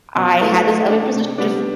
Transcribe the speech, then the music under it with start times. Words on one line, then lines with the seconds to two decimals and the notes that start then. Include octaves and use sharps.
I had this other position just
0.15 B2
0.40 A3 E4 B4
0.65 A3
0.90 D4 A4
1.14 C3
1.38 G3 B3 D4